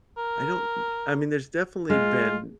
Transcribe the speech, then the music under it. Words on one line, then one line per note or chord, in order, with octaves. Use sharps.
I don't I mean, there's definitely been
A#4
G#3 F4